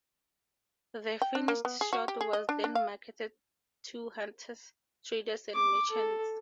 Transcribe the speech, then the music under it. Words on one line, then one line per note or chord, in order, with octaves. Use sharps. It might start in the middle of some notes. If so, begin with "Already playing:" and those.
The finished shot was then marketed to hunters, traders and merchants.
G5
D4
A#3
B3
G#4
F#4
G4
G#4
D#5
D4
D4
F5
D6
A4